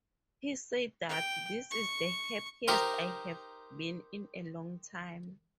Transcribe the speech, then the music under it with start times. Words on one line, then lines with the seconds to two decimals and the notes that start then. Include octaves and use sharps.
He said that, This is the happiest I have been in a long time.
1.09 G5
1.71 C#6
2.68 D#4 G4 A#4 C5